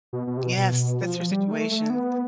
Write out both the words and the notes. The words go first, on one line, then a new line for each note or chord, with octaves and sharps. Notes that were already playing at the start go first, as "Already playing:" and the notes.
Yes, that's your situation.
B2
B2
C3
B2
B2
B2
F3
G3
A3
A3
B3